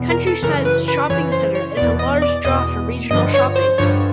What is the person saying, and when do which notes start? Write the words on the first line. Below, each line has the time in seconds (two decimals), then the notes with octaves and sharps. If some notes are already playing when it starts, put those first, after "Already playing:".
Countryside Shopping Center is a large draw for regional shopping.
Already playing: E2 B2
0.10 A#4
0.27 A4
0.43 F#2 C#3 E3 A#4
0.65 B4
0.88 B4
1.10 F#2 C#3 E3 C#5
1.32 C5
1.55 C#5
1.77 E2 B2 D5
1.99 D#5
2.22 D5
2.45 E2 B2 D#5
3.11 G2 D3 F3 D#5
3.34 C#5
3.56 C5
3.78 G2 D3 F3 C#5